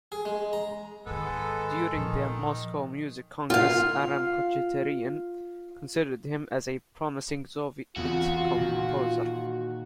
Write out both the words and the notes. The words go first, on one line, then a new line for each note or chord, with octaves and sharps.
During the Moscow Music Congress Aram Khachaturian considered him as a promising Soviet composer.
G#4
G#3
A#5
G#2 D#3 G#3 B3 A4
A#2 D#3 F3
F4 F5
E2 C#3 E3 B3 C4 F4 F#4
A#2 D#3